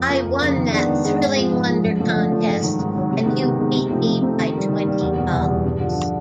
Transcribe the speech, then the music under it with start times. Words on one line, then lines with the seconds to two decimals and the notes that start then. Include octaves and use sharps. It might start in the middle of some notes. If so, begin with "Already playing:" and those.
I won that "Thrilling Wonder" contest, and you beat me by twenty dollars.
Already playing: F2
0.08 C#3 F3 A#3
0.25 F2
0.41 C#3 F3 A#3
0.56 D#3
0.72 G#3 B3 D4
0.89 D#3
1.04 G#3 B3 D4
1.20 G#2
1.36 F3 G#3
1.52 G#2
1.67 F3 G#3
1.84 F#2
2.00 D3 F3 A3
2.16 F#2
2.31 D3 F3 A3
2.47 G#2
2.63 D#3 F#3
2.79 G#2
2.95 D#3 F#3
3.10 C3
3.26 D#3 G#3 B3
3.42 C3
3.58 D#3 G#3 B3
3.75 C3
3.90 F3 A3 C4 D#4
4.06 C3
4.22 F3 A3 C4 D#4
4.38 D#3
4.53 G3 A#3
4.69 D#3
4.85 G3 A#3
5.01 E2
5.18 B2 G3
5.32 E2
5.49 B2 G3
5.65 G2
5.80 D3 F3